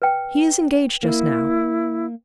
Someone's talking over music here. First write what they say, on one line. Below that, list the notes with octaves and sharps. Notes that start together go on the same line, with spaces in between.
He is engaged just now.
B4 G5
A#3 E4